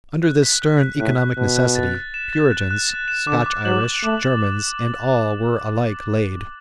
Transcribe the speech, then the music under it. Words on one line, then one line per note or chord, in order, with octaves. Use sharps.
Under this stern economic necessity, Puritans, Scotch-Irish, Germans, and all were alike laid.
F#6
B6
F#6
F#6
A2 F#6
F#6
B2 F#6
F#6
A6
F#6
E7
A6
F#6
F#6
A6
E7
D3 D6
D6
F#3 F#7
D6
A3 D6
A6